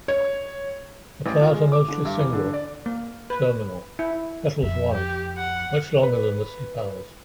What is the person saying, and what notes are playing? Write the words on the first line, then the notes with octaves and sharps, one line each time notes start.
The flowers are mostly single, terminal, petals white, much longer than the sepals.
C#5
A1
F4
G#3
D6
D3
G2
E1
D3
D5
A#3
B4
E4
F2 E5
G4
F#5
B4